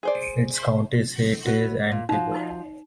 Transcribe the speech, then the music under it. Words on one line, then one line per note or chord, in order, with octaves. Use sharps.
Its county seat is Antigo.
G#4 C5 D5
E4 F#4 B4
A#2
F3 D#4 F#4